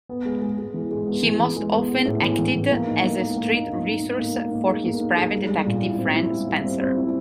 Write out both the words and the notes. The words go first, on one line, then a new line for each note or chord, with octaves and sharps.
He most often acted as a street resource for his private detective friend Spenser.
B3
G#3
G#3
G#3
E3
G#3
B3
E3
E3
G#3
B3
B3
A2
E3
E3
E3
A#3
D#4
A#3
A#3
A#3
D#4
D#4
D#4
D#4
A#3
A#3
D#4
G#4
A#3
D#4
G#4
G3
G3
A#2
E4
C4
E4
G3
G3
C4
C4
E4